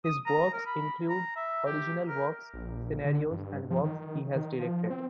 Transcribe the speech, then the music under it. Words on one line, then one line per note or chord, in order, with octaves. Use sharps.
His works include original works, scenarios and works he has directed.
D#6
A#5
A#4
B5
A#5
E5
G4
A#4
A#1
D3
G2
F3
D#3
D#3
F3
C4